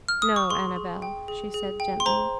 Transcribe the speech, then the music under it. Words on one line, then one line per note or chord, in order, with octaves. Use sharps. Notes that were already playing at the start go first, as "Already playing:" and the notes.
"No, Annabel," she said gently.
F6
D#6
C#6
G#4 C6
G#4
G5
G#4
G#4
G5
C6
C5 A#5